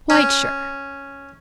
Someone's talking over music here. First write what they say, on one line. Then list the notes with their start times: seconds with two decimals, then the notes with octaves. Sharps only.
'Quite sure.
0.10 C#4